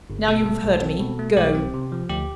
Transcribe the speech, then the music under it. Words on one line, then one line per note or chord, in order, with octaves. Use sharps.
Now you have heard me, go!
G1
B2 A4
A3
B1
C4
B2
A3
B1 G4
C4
C3
F3
D2 G4